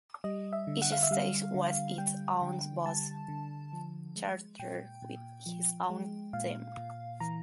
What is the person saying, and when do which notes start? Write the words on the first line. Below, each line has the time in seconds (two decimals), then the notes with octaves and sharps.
Each stage has its own boss character with his own theme.
0.24 G3 D#5
0.53 E5
0.67 D3
0.82 F#5
0.92 F5
1.03 E5
1.11 G3 F5
1.54 D3
1.98 G3 G5
2.42 D3
2.85 G3 A5
3.28 D3
3.73 F3
4.16 G#3
4.59 A#2 G5
5.02 A#2
5.46 F3
5.90 G#3
6.33 A#2 F5
6.77 A#2
7.20 E3 A#5